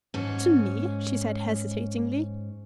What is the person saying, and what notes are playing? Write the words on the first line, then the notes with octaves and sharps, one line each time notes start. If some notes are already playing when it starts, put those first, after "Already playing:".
"To me?" she said, hesitatingly.
G#2 C#4